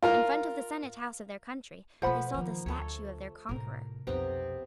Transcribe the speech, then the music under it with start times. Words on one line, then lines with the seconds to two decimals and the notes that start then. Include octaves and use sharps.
In front of the Senate House of their country, they saw the statue of their conqueror.
0.03 F4 A#4
2.02 B2 F3 A3 B4 C5 F#5 B5
2.34 D#3 F3 A#3
2.66 D2 A3 A4 C#5
3.49 A2 C3 A#4
4.07 B1 F2 C3 B3 A#5